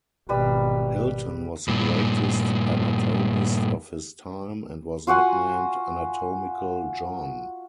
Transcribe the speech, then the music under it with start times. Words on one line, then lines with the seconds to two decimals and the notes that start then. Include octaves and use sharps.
Hilton was the greatest anatomist of his time, and was nicknamed Anatomical John.
0.29 G#1 B2 G3 B4
1.68 G2 A#2
5.07 F4 F#4 F#5 G#5